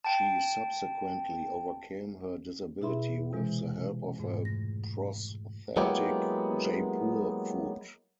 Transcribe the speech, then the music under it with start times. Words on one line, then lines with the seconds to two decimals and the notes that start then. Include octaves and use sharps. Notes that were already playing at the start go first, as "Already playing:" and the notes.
She subsequently overcame her disability with the help of a prosthetic Jaipur foot.
0.04 G5 A5
2.81 B2 E4 G#4 E5 B5 C6
3.33 C3 E3 G#3
4.18 F2 G#2 A3
4.45 A#6
5.77 F#3 G#3 A#3 B3 E4 G4